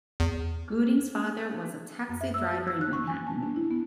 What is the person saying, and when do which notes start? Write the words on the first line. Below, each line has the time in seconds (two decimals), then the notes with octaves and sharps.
Gooding's father was a taxi driver in Manhattan.
0.20 E2
2.09 F#2
2.21 E5
2.34 E6
2.53 F#4
2.68 E6
2.81 F#6
2.93 C#6
3.07 G#5
3.27 A5
3.43 D4
3.56 E4
3.71 B3